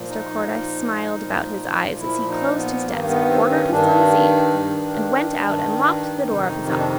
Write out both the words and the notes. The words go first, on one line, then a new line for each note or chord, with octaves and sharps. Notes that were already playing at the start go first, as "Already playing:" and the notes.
Mr. Cordyce smiled about his eyes as he closed his desk, ordered his limousine, and went out and locked the door of his office.
Already playing: A#2 F3
D#4
A#2 F3
A#2 F3
A#2 F3 E4
D#4
B3
G2 D#3 A#3
B3
C4
C#4
G2 D#3 D4
G2 D#3
G2 D#3
F2 C3 D#3 D#4
D#4
D4